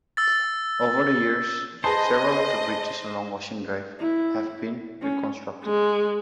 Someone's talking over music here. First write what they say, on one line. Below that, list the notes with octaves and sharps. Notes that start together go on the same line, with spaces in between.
Over the years, several of the bridges along Ocean Drive have been reconstructed.
E6 A6
G#4 B4 C5 D#5 A5
E4
C#4
G#3